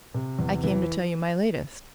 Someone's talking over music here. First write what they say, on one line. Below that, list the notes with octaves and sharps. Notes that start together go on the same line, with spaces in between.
I came to tell you my latest.
C3
E2
E3